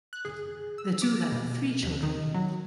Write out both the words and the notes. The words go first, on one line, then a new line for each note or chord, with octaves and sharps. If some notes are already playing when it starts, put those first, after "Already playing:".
The two have three children.
F#6
G#4
E6
D6
B2
D#2
D#3
F#3